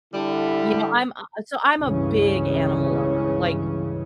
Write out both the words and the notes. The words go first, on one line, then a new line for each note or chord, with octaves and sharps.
you know I'm a so, I'm a big animal lover, like,
D3 G3 E4
C#2 G2 C#3 E3 C#4